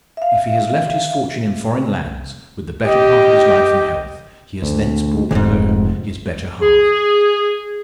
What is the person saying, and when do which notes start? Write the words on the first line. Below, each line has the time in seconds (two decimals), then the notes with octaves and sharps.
If he has left his fortune in foreign lands, with the better part of his life and health, he has thence brought her, his better-half.
0.17 E5 F5
2.86 G4 D#5 G5
4.62 D2
5.31 F1 D2 G#2
6.61 G#4